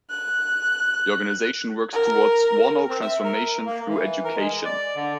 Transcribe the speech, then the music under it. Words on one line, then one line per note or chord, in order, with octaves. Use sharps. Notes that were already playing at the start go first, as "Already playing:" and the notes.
The organisation works towards 'whanau transformation through education'.
F#6
A#4
C4
E5
A#4
A#3
E3
A#4
G#3
D5
D3